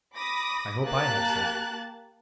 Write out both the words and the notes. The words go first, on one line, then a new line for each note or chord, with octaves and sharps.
I hope I have some.
B5 D6 D#6 A#6
A#3 G4 A5 F#6 A6